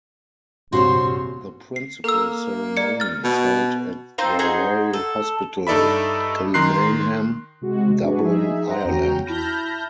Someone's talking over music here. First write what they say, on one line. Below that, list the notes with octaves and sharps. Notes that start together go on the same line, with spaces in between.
The principal ceremony is held at the Royal Hospital Kilmainham, Dublin, Ireland.
A#1 G2 C3 F#4 C5 C#5 C6
C7
A#3 A4 E6
D5 C#7
F6 A6
B2
C4 D#4 F4 C5
D#4 F#4 G#4 C5
A4
G2 D#4 A4 D5 E5 B5
D#3 A#5 C6 F#6 C7
C3 G#3 F#4
D4 F#4 G#4 B4 C#6
F3 D#4 G#4 E5
C5 F#5 A#5 A#6
E2 C#4 F#4 G5 A#5
E4 A5 B5 F6 G6 A#6